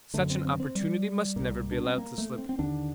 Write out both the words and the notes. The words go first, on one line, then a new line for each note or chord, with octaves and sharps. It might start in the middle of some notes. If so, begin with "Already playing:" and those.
Such an opportunity must never be allowed to slip.
F#2 D3 A3
C4
C4
C4
G3
C2 A#2
D4
C4
A#3
A3
C4
C4
D#2 D3 D4